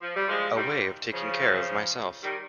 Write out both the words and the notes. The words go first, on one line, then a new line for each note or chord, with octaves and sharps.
A way of taking care of myself.
F3
G3
F3 G#3
D#3 G3
C#3 F3
D#3 G3